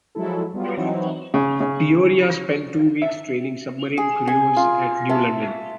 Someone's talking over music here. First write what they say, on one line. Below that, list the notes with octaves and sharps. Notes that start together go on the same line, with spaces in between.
"Peoria" spent two weeks training submarine crews at New London.
F3 F#3 G#3 E4 A4
F#3 G3 B3 F4
E3 F#3 C4 D#4 E4 F#4
C#3
C#3
E5
G#4
G#5
F4
E5 A5